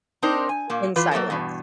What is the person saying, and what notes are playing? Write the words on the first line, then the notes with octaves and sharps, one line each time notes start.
in silence.
C4 D4 D#4 A#4 C5
G#5
A#2 A#3
E3 F4 B4
F#3 A#3 C#4 A4 A#4
E2 G2 B2